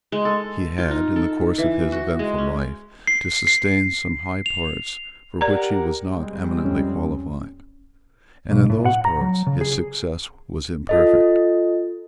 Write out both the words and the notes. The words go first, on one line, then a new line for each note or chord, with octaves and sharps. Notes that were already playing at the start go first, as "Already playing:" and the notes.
He had, in the course of his eventful life, to sustain some high parts for which he was not eminently qualified; and, in those parts, his success was imperfect.
G#3
A4
F4
D#4
A4
E3
F#4
G#3
C#4
C7
C7
F7
G4 A#4 D5 F#5 A#5
G3 G#3 C4
F2 C#4
B1
A2
F#5
A#5
F#3
C#3
G#4
F4 A4 D#5